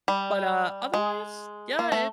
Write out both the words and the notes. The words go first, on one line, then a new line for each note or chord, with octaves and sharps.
But, uh, otherwise, yeah, it
G3
G#3
A#3
A3